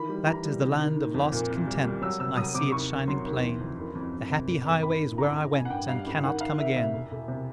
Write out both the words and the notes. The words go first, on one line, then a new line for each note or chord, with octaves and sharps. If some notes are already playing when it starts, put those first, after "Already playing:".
That is the land of lost content, I see it shining plain, The happy highways where I went And cannot come again.
Already playing: D#3 E3 B5
G3
E3 A#5
G3
C3
D#3
D#3
F2
A#2
C2
G3
G3
F#3 E6
C3 E6
F#3 D#6
C3 D6
D#2 C#6
D#3
F#3 C6
D#2
E3
F2
F#1
F2
G1
C3
G1
G1
D#3 B5
D#3
A1 A#5
A1
A1 G#5
F#5
G2 G5
G3 F5
A1
D#3 F#5
D#3 F5
D#3 E5
C3 E5
E1
E1
C3